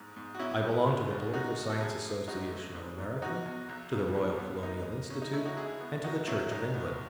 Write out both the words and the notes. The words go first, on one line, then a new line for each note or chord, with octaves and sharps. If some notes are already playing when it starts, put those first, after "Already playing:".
I belong to the Political Science Association of America, to the Royal Colonial Institute, and to the Church of England.
Already playing: A1 G#2
G#2
F#4
B1 C#4 E4
B3
C#2
C#2
E2 D#4 F#4
E2
A4
F#2 E4 G#4
F#2
G#1 D#4 F#4
A3
G#2
G#2
E2 D#4 F#4
E2
B1
B1
D#2
B3
D#2 D#4
D#2
B1 C#4
D#4
A3 C#4 E4
D#4 F#4
C#2 E4 G#4
B3
G#1 D#4 F#4
F#3 C#4 E4
C#2 D#4
B3